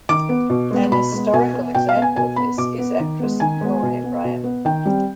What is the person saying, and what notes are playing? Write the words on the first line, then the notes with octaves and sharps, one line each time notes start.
An historical example of this is actress Gloria Grahame.
D#3 D6
B3
B2
G#3 B3
B2 B5
G#3 B3
B2 G#5
B3
B2 G5
F5
B3
G#5
B2 G#5
B3 B5
B2 D6
B3
D#3
G#3 B3
D#3 G#5
G#3 B3
B2
B3
B2
B3
D#3 G5
G3 C4